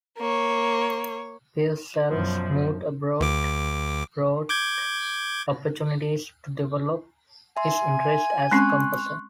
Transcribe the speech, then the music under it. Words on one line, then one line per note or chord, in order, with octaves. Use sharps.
Pearsall's move abroad brought opportunities to develop his interests as a composer.
A#3 C#5
F#2 B2 F3
D2 D6
D6 G6 G#6
E5 G#5 C6
G#3 C4 C#4 C6 C#6 F#6